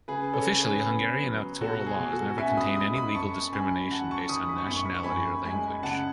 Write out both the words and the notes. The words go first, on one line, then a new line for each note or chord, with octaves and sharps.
Officially, Hungarian electoral laws never contained any legal discrimination based on nationality or language.
C#3 G#4 B4
A4 C#5
C#3
G#4 B4
B3
F#3
B2 F#4 A4
G#4
B2
F#4 A4
C#4 E5 G#5
B5 D#6
G#3 B5 D#6
B5 D#6
F#2 A5 C#6
C#4 G#5 B5
F#3 F#5 A5
A5 C#6
D#3 B5 D#6
B5
C#6
F#2 B5
C#6
B5
C#6
F#2 G#5 B5
G#3 G#5 B5
C#3 F#5 A5